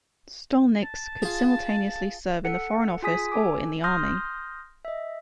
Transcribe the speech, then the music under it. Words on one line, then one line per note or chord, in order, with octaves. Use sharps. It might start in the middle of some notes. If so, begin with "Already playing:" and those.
"Stolniks" could simultaneously serve in the foreign office or in the army.
A5
F4 G#4
A4 F#5 C#7
F4 G#4 G#5 D#6 B6
A4 G#5 D6
C6 D#6 F6 G6 A#6
D#5 E5